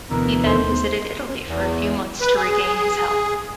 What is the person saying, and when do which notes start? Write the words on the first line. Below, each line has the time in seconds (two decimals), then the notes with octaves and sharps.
He then visited Italy for a few months to regain his health.
0.11 D2 B2 E3 B3 A#4
0.46 D#2 D#3 A3 C5
1.47 E2
2.21 B4
2.36 G#4